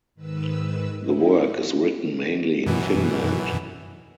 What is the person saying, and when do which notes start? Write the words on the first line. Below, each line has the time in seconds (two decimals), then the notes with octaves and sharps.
The work is written mainly in Finland.
0.15 G#2 D#3 B4 E6
0.94 D#4 E4
2.66 F#2 B2 E3